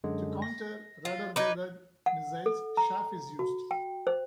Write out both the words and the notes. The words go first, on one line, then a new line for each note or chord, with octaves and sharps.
To counter radar-guided missiles, chaff is used.
F#2 D3 G#3
A#6
F4
D#4 B4 D6 G#6
F#5
A4
A#5
F#4
G5
C5